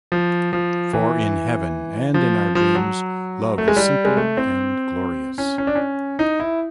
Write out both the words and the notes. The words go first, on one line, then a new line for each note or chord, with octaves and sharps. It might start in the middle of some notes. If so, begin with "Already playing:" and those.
For in heaven and in our dreams, love is simple and glorious.
F3
F3
E3
F3
F3
F#3
A3
G#3
G3
G#3
A3
C4
C#4
C#4
D4
C#4
D#4
E4